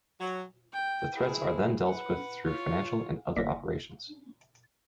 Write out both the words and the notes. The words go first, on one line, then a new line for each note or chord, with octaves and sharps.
The threats are then dealt with through financial and other operations.
F#3
G5
E4 G#4
B4 F#5
F4 C#5
G1 A#3 D5 A#6 B6